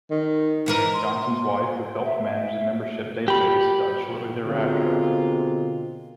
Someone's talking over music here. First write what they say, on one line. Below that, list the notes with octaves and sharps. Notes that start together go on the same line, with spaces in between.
Johnson's wife, who helped manage the membership database, died shortly thereafter.
D#3
G#2 E3 A#4
C6
E5
G4 B5
B2 D3 G#3 A#3 C4 F4